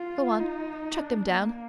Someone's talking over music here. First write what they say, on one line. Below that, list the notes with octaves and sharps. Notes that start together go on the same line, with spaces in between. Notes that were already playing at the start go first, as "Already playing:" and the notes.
Go on! Chuck them down!
Already playing: F4
D#4
D4
A#3